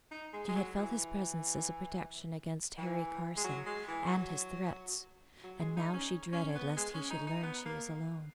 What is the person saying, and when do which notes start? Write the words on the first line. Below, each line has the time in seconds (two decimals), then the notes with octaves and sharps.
She had felt his presence as a protection against Harry Carson and his threats; and now she dreaded lest he should learn she was alone.
0.11 D#4
0.33 G#3
0.48 G#3
0.56 F#3
0.78 E3
2.78 E3
3.37 G#3
3.44 F#3
3.66 G#3
3.88 E3
4.11 F#3
5.44 F#3
5.60 G#3
5.77 D#4
5.94 C#4
6.33 C#4
6.55 B3
6.76 G#3
6.94 C#4
7.10 D#4
7.27 D#4
7.43 B3
7.65 A#3